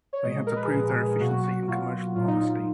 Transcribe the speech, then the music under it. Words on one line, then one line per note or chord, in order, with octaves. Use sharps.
They had to prove their efficiency and commercial honesty.
C#5
A#2 F3 G#3 D#5
A#4
B4
G#4
A#2 F3 G#3 A#4
G#4
B2 F#3 A#3 F#4
F#4
B2 F#3 A#3 F4
A#2 F#3 A#3 F4
D#4
F4